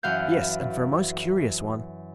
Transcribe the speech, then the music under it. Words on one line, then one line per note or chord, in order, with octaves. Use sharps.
"Yes, and for a most curious one."
F#2 E3 F5 F#5 G6